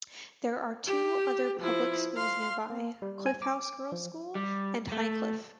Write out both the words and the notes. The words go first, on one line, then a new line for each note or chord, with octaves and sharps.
There are two other public schools nearby, Cliff House girls school and Highcliffe.
G4
F3 E4
F5 C6
A#3
G3
G#5
D6
F3
G3
A3